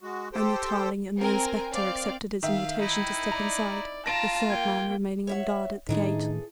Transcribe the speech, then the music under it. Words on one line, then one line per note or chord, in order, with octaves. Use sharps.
Only Tarling and the Inspector accepted his invitation to step inside, the third man remaining on guard at the gate.
G#3 F#4
G4 A4 C5 G5
C4 A#4 G#5
C4 D5 F5
D#3 E5 F5
D#4 E4
D5 A#5
F4 A5 A#5 A#6 D7
A#3 G5 G#6
C#5 E5 F#5
A2 D#3 E3 D4 D#4 G#4 A4